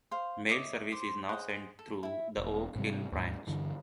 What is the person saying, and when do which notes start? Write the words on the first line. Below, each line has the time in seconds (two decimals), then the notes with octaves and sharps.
Mail service is now sent through the Oak Hill branch.
0.11 C5 F5
0.49 C#5 D#5 E5 D6
0.92 C5 C6 D6
1.29 G#4 C5 D#5 F#5
1.79 A4
2.03 E4 E5
2.37 E1
2.76 G#2 C3 G3
3.12 D#2 G#2
3.47 G2 D3 E3